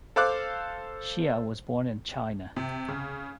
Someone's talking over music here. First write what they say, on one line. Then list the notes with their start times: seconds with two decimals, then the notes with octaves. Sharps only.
Hsia was born in China.
0.16 A4 C5 F5 D6 F#6
2.56 C3
2.88 C#3